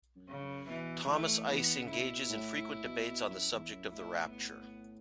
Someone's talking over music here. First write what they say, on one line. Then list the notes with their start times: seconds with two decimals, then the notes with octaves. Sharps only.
Thomas Ice engages in frequent debates on the subject of the Rapture.
0.16 F#2
0.29 C#3
0.42 F#2
0.69 B2 E3
1.04 C#3
1.09 E3 A3
1.49 E3 B3
1.76 C#3
1.90 E4
2.03 B2
2.30 A2
2.57 A2
2.84 B2
3.10 B2
3.31 F#2
3.52 E2
3.72 F#2
3.91 A2 E4
4.32 B3